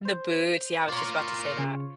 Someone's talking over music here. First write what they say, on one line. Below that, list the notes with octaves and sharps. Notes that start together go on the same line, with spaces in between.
The boots, yeah, I was just about to say that.
C5
F4 A#4 C#5 D5 C6
C#3